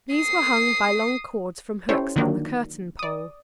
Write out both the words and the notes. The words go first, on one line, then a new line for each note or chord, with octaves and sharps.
These were hung by long cords from hooks on the curtain-pole.
D#6 C7
C#4 E4 G4 A4 C5 C#5
D3 D#3 F3 F#3 A#3 D4
D5 D#6